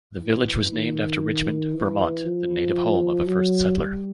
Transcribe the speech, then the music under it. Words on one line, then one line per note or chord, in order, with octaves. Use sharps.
The village was named after Richmond, Vermont, the native home of a first settler.
E3
D#3
E3
F3
F#3
G3